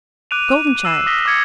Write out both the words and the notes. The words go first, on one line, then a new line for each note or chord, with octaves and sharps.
Golden child.
D6 F#6 D7 D#7 F7
D6 E6 C7 E7
D6 D#6 F6 A#6 B6 G7
D6 F#6 G#6 C#7 E7